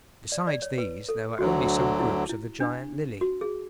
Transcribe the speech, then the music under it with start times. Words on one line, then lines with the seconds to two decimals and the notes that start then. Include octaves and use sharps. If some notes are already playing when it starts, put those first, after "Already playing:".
Besides these there are only some groups of the Giant Lily.
0.32 D5
0.47 D5
0.62 C#5
0.78 B4
1.09 A4
1.39 D2 D3 F#3 F#4
1.80 F#4
1.99 E4
2.29 E4
2.60 D4
3.21 F#4
3.41 G#4